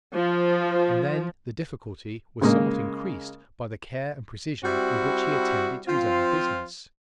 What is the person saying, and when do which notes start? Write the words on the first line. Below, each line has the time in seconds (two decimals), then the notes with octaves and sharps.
And then the difficulty was somewhat increased by the care and precision with which he attended to his own business.
0.15 F3
2.41 C#3 G#3 A#3
4.64 G3 C4 E4 F#4
5.87 F3 C4 F4